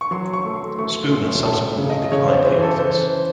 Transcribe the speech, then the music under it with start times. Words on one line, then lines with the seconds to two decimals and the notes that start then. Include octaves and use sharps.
Spooner subsequently declined the office.
0.01 C#6
0.11 F#3 C6
0.34 C#6
0.45 A3
0.56 C6
0.79 A3 C#6
1.12 C#4 C6
1.45 A3 A5
1.78 C#3
1.90 D#5
2.12 C#3 C#5
2.28 C5
2.45 E3 C5
2.62 A4
2.79 E3 C5